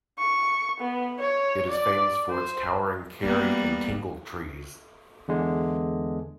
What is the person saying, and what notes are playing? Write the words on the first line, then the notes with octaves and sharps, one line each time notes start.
It is famous for its towering Karri and Tingle trees.
C#6
B3
C#5
D5
C5
G3 A#3 B3
E2 D3 G#3